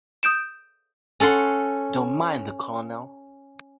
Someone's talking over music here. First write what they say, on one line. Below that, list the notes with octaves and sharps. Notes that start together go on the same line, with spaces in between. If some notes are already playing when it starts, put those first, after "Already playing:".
Don't mind the Colonel.
D#6 G6 D7 E7
C#4 A4 F#5 C6